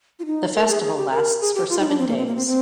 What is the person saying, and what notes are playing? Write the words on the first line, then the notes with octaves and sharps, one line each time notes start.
The festival lasts for seven days.
F4
D#4
A#4
G#4
G#4
G4
A#4
G#4
G4
F4
D#4
D4
C4
A#3
C4
A#3
C4
C4